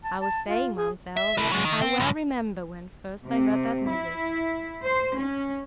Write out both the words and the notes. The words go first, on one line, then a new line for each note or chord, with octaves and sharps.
'I was saying, ma'amselle, that I well remember when first I heard that music.
A5
A5
F4
G#4
E5
E4 A#4
F#3 G#3
D#3
C4
C#2 G2
C3
E4
C5
C#4